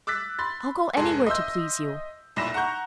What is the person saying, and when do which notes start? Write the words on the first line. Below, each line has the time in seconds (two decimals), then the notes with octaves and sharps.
I'll go anywhere to please you.
0.07 D6 E6 F#6 A6 B6
0.39 B5 C6 A6
0.97 F1 G#2 G#4 A4 C6
1.27 D#5 E5 C6 E6 G6
2.36 B1 A#2 E4 B5 A#6 E7
2.54 F#5 A#5 C#6 G6